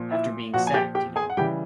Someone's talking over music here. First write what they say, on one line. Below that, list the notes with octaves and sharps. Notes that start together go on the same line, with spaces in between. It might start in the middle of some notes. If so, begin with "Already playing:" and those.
After being sacked, you know.
Already playing: A#2 F3
E4 E5
A#2 F3 F#4 F#5
G#5
G4 G5
G4 G5
G#4 G#5
F#5
C#3 E3 G3 G4 G5